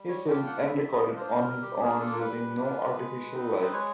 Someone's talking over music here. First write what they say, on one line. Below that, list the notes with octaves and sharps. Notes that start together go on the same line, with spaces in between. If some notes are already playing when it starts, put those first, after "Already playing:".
He filmed and recorded on his own, using no artificial light.
Already playing: G3
C#5
A#3 D4 F4 G5
F#5
G3 E5
D#5
A#3 D4 F4
C5
G3 A#4
G4
A#3 D4 F4 G#4
A4
A#4
G3 B4
A#3 D4 F4
G#3
C4 D#4
C5
G#3 C#5